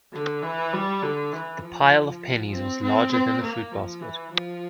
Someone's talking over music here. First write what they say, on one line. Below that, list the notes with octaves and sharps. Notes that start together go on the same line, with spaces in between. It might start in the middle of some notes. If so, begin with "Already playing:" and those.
The pile of pennies was larger than the fruit basket.
D3
E3
G3
D3
E3
F3
C4
C4
C4
A#3
F3
E3
F3